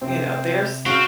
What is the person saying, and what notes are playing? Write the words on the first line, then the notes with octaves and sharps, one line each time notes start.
you know, their s s
C3 C4
C#3 C4 F#4 F5